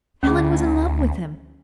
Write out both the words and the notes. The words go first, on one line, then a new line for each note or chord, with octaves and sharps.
Helen was in love with him.
D2 C#4 G#4